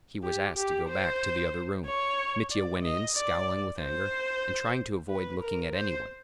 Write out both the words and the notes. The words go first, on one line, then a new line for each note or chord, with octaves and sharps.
He was asked to go back to the "other room." Mitya went in, scowling with anger, and trying to avoid looking at any one.
G4
G4
C5
C#5
D5
D#5
D5
C5
B4
A#4
C5